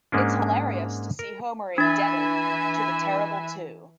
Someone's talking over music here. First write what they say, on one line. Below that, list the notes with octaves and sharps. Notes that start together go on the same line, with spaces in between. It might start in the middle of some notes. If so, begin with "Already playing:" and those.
It's hilarious to see Homer indebted to the Terrible Two...
G#2 G#3 A#3 C#4 D4
A#4
E3 D4 E5 G#5 B5 A6